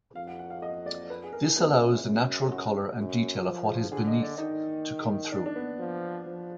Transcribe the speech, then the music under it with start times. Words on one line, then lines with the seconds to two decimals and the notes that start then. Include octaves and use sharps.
This allows the natural color and detail of what is beneath to come through.
0.15 F2 F5
0.27 F#5
0.39 F#5
0.50 F5
0.62 D#5
0.86 D5
1.10 B4
1.24 G#4
1.33 A#4
1.56 F#2 B3
2.03 F#2
2.51 F#4
2.98 F#2
3.44 F3
3.91 D3 G#4
4.08 D#5
4.23 D5
4.38 D#3 D#4
5.32 D4
5.46 D4
5.56 B3
5.79 F3
6.27 F3